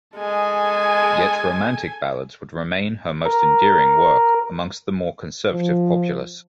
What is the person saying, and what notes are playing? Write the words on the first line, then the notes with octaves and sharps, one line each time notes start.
Yet romantic ballads would remain her most endearing work amongst the more conservative populace.
G#3 A4 G#5
A#4
F3